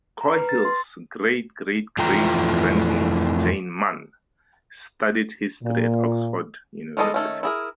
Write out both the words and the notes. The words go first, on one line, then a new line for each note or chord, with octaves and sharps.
Coghill's great-great-great grand-niece, Jane Mann studied History at Oxford University.
A#5
B4
A6
C6
F2 E3 A3 F4 G5 A#5
A#2
D#3 G3 G#3 A4 D#5
D#3 A3 C#4
E4 G#4 A#4